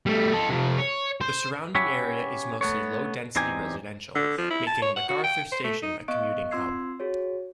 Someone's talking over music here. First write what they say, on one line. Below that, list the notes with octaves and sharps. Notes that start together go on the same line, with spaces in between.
The surrounding area is mostly low-density residential, making MacArthur station a commuting hub.
G3 A3
A4 D#5
C3 F3
C#5
C5
C#4 G4 C#5 E5 F#5 B5
A3 B3 C#5
E2 C4 D#4 G4 G#5
D3
F3
E4
A5
C#5
F#5
F#4
G5
C5
A3
D#4
B3 D#5 F5 C#6 F#6 D7
C4 F4 C6 E6 G#6 C7
F#4 G#4 C#5